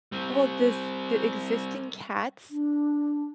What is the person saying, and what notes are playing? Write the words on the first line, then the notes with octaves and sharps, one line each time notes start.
Well, does the existing cats,
G3 C4
D4